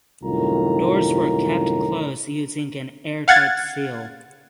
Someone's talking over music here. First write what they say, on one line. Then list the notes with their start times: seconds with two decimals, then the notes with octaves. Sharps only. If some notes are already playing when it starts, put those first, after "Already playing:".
Doors were kept closed using an airtight seal.
0.23 C2 F#2 A2 D#3 F4 A#5
3.28 F5 F#5 G#6 A6